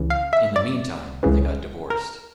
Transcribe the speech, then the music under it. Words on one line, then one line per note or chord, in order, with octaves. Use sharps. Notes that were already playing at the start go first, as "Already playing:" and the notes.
In the meantime, they got divorced.
Already playing: C#2 C#3 E3
F5
E5
D5
C#2 C#3 E3
A#4